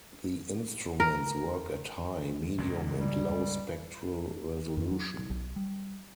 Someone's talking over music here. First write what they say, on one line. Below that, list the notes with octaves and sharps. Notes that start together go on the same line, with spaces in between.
The instruments work at high, medium and low spectral resolution.
A#4
C#2 G2 A#2
G3
F2
F#3
B1
G3